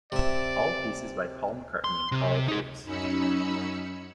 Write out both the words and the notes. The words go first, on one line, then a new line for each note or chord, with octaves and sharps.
All pieces by Paul McCartney and Carl Davis.
C3 D5 E5
C6
C3
D#4 G#4
F#2 C#4 D#4 B5 E6 C#7